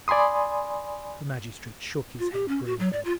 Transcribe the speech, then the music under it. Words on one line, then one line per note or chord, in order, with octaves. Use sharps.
The magistrate shook his head gravely.
D5 G#5 B5 C6 D#6
F4
G4
C#4
F#4
F#3
D5
F4